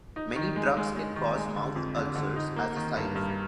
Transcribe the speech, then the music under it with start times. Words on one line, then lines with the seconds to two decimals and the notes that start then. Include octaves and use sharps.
Many drugs can cause mouth ulcers as a side effect.
0.16 D#4
0.36 D#3
0.56 G#3
0.77 G#3
0.96 G#3
1.16 D#3
1.37 G#3
1.56 D3
1.76 F2
1.96 D3
2.16 D3
2.36 D#4
2.56 A#3
2.76 D#3
2.97 G2
3.16 G2